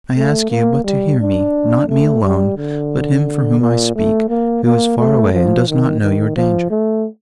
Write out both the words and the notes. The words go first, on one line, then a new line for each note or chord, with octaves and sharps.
'I ask you but to hear me: not me alone, but him for whom I speak, who is far away and does not know your danger.
A3
A#3
G3
D4
A3
G3
D3
A#2
A3
A#3
A#3
A3
F3
D#3
D#3
F3
A3